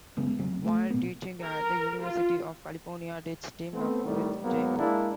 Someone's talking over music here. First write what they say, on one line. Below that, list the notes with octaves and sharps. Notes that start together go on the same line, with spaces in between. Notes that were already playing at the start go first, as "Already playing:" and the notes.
While teaching at the University of California, Deetz teamed up with J. O.
F#1 C#3 G#3 B3
F1 C#3 F#3 C4
A3
A#2 B3
A#4
F4
A3 B3 C4
C2 A2 D#3 G3
G#2 F#3 A#3 B3
G#3 A#3 D4 E4